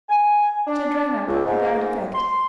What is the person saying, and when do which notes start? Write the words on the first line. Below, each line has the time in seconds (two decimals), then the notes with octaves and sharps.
She had rung up without effect.
0.09 G#5
0.67 D4
1.26 C#2
1.46 G#2
2.14 C6